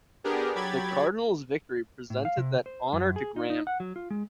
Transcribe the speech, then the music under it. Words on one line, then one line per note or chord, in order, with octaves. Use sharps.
The Cardinals' victory presented that honour to Graham.
B3 D4 G4 G#4 A#4
F#3 G4 B5 G#6 A6
A2
F5
C3
C5
F#2
G#4
D#4
D#4
F#5
F#3
F4
G#3